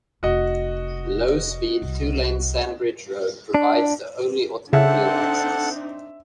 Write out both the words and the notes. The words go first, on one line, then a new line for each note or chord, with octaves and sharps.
Low speed, two-lane Sandbridge Road provides the only automobile access.
F1 F#4 D#5
C2
D4
C#3 C4 D4 D#4 A4 E5 F#5